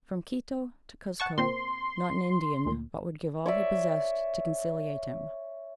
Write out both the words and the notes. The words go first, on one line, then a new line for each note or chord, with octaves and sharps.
From Quito to Cuzco not an Indian but would give all he possessed to conciliate him.
F#5 A5 C#6
A#2 A#3 C4 C6
D2 A#2
C#5 D5 E5